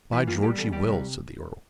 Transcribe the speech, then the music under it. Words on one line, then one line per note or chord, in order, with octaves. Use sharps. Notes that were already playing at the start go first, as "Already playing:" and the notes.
"By George, he will," said the earl.
E3 E4
A#3 F4
G3 G4
E2 A4
G3 G4
C3